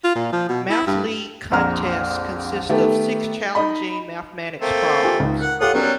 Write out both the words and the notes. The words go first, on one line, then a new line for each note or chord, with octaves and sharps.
Math League contests consist of six challenging mathematics problems.
F4
A#2
F3
B2
E4
G2
A#1 F2 F#5 A#5 F6
D#3 A3 B3 G4 A4
D#4 D#5 B5
A3 A#3 C4
F4 G4 G#5
C#2 D#4
A#4 F#5
F4 G4 A4 C#5 F#5 D#6
F#3 G3 B3 C#4 A#4